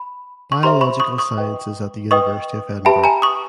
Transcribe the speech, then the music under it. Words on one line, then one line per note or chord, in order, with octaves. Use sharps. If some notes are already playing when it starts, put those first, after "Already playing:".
Biological Sciences at the University of Edinburgh.
Already playing: B5
C#6
G4 C5 E5 A#5 C6
B5 C#6
C#6 D#6
C#6 D#6
B4 D#5 G5
B4 D#5 G5 C#6 D#6
G4 B4 E5 G5 A5 B5
G#5 A#5
C#6 D#6